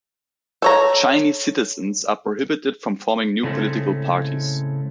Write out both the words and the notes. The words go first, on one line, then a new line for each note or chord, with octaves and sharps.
Chinese citizens are prohibited from forming new political parties.
A4 C#5 A#5
A2 C#3 G#3 A3 C4 C#4